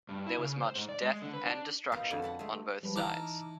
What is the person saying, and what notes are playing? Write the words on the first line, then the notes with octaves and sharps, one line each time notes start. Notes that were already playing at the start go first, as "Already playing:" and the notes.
There was much death and destruction on both sides.
G2
E4
C#3
C5
G#2
D5
G#3
D3
B4
D4
B2 D#4 A#4 C5 F5
F2 D3
F#5 A5 B5
G#3 A3
F3 G3 G#3 B4
E3 D#4 A5 A#5 D6 E6 F6